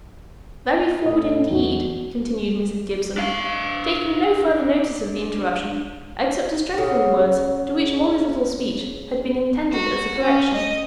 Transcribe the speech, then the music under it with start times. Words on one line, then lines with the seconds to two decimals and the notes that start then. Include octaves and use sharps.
"Very forward indeed!" continued Mrs. Gibson, taking no further notice of the interruption, except to strengthen the words to which Molly's little speech had been intended as a correction.
1.06 A2 D#5
1.50 E2 F#4
3.17 D4 F5
6.78 C#3 A4 F#5
9.72 F#4
10.23 C#4
10.53 D#5